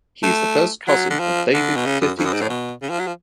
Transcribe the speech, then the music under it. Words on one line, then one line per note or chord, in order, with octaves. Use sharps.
He is the first cousin of David Fifita.
A3
F#3
D3
F3
D3
B2
C#3
F#2
F2
F#2
G#2
A2
B2
C#3
F3
F#3
F3